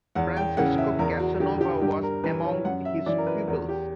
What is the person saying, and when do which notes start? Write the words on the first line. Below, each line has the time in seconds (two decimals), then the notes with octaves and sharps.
Francesco Casanova was among his pupils.
0.15 E2 F#5
0.37 G5
0.57 C#3 E3 F#5
0.78 E5
0.99 E2 A#4
1.20 F#4
1.40 D3 G4
1.61 G4
1.81 G2 G4
2.03 A#4
2.24 E3 B4
2.44 C#5
2.65 F#2 F#5
2.85 E5
3.06 E3 D5
3.18 A#4
3.27 B4
3.47 E2 A#4
3.69 G4